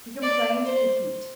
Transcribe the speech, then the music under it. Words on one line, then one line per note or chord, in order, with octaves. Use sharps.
He complained of the heat.
D5
C5